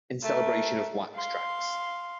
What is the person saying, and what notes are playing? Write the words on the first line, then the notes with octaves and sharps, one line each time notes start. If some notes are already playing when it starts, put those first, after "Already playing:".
In celebration of Wax Trax!
A3 A#4
F5 C6